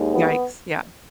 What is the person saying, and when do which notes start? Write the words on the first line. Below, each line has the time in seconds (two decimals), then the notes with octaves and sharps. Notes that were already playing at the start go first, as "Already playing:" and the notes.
Yikes, yeah.
Already playing: D#2 D#3 G#3
0.13 B3